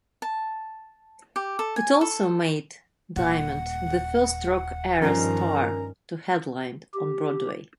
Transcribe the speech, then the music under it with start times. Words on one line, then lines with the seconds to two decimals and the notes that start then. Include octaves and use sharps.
It also made Diamond the first rock-era star to headline on Broadway.
0.22 A5
1.36 G4
1.59 A4
1.76 G#5
2.01 A4
3.16 D#1 F#5
5.02 G2 D#3 F3 C#4 A#4 A#5
6.94 G4